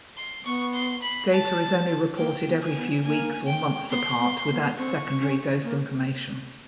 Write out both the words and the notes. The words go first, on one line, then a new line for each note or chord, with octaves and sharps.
Data is only reported every few weeks or months apart without secondary dose information.
C6
B3 C#6
C6
B5
A5
A#3 G5
B3
G#5
B3
A#3 G#5
G5
B3 C6
B3
B3
A#3
B3
C4 C#6
C#4
A#3